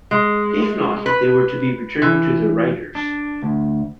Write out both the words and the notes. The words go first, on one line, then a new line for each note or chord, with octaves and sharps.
If not, they were to be returned to their writers.
G#3
B4
E3
D4
D2